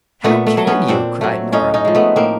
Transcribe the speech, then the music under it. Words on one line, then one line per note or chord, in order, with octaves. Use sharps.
"How can you?" cried Nora.
A#2 A3 B3
A3
F#3 A3
B3 C#4
A#2 C4 D4
F#3 A3
A2 C#4 D#4
C#4 D#4
F3 G#3
A3 B3
A2 A#3 C4